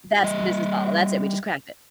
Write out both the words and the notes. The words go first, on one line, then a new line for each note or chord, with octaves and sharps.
That's the business model. That's it, we just cracked it.
G3 D#5 E5